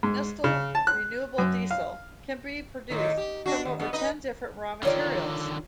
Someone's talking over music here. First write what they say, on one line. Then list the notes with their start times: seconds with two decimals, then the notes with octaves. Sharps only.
Neste Renewable Diesel can be produced from over ten different raw materials.
0.03 G#2
0.44 C#3
0.75 A5
0.87 F#6
1.38 F#2
1.71 F5
2.90 A2 D#3
3.17 G4
3.46 D4 F#4
3.65 D#2
3.80 G2 B3
3.93 D#4 B4 D#5
4.83 D3 D#3 F4 C#5 D5